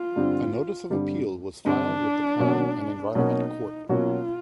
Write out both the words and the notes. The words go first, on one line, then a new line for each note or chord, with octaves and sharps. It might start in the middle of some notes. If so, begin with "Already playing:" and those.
A notice of appeal was filed with the Planning and Environment Court.
Already playing: F4
G2 D3 G3 C4
G2 D3 G3 C4
G2 D3 G3 C4 D4
B2 F#3 A#3 C#4 F#4
B2 F#3 A#3 C#4 D#4 F#4
B2 F#3 A#3 C#4 F4 F#4